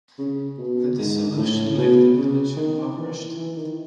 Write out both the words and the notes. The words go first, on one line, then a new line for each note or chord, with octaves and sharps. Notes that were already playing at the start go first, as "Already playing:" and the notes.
The dissolution left the village impoverished.
C#3
B2
G#2
A2
B2
C#3
D#3
E3
E3
D#3